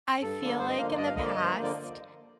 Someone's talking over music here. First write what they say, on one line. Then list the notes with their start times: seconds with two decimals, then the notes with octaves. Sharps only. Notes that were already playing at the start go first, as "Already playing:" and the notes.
I feel like in the past,
0.22 G2 A4
0.41 D3 F3 A#3
0.59 G2 C5
0.69 D#5
0.78 D3 F3 A#3 F5
0.97 G2 D#5
1.06 F5
1.15 D3 F3 A#3 D#5
1.25 D5
1.35 G2 D#5
1.44 C5
1.53 D3 F3 A#3
1.63 D5